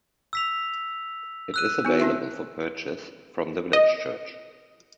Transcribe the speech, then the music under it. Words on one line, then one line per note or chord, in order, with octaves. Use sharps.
It is available for purchase from the village church.
E6 B6 F7
E6 F#6 D#7
B3 D#4 F#4
C4 E4 E5
D#5